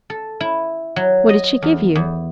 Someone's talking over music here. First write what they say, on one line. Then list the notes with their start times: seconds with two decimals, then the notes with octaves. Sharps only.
'What did she give you?'
0.10 A4
0.40 E4
0.96 F#3
1.29 D#5
1.62 E2
1.95 E2